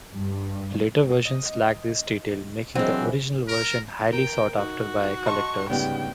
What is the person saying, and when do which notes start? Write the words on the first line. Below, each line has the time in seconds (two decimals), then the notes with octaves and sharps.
Later versions lack this detail, making the original version highly sought after by collectors.
0.13 G2
1.25 D#5
2.75 E3 F#3 G#3 C4 D4 C5
3.48 A#4
4.12 A#4 G5 A#5
4.57 D#4 F#4
5.26 D#5 A5 C6 C#6
5.70 D2 G#2 C#3 G3 B3 G4 G5